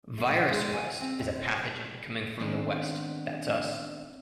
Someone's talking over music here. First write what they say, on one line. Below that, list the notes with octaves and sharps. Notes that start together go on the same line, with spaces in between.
'Virus West' is a pathogen coming from the west-that's us.
A3
F#4
G#3
G#5
C4
E2
C5
D#3 G#3 B3 C4 D4